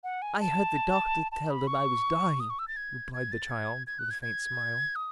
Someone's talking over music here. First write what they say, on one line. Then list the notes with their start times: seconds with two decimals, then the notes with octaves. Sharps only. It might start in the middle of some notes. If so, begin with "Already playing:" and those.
'I heard the doctor tell them I was dying,' replied the child with a faint smile.
0.04 F#5
0.22 G#5
0.40 A5
1.32 A5
1.50 B5
1.67 C#6
2.40 D#6
2.50 C#6
2.59 E6
2.68 A6
2.76 G#6
3.14 G#6
3.32 A6
3.50 G#6
3.87 G#6
3.99 F#6
4.11 G#6
4.22 G#6
4.95 D#6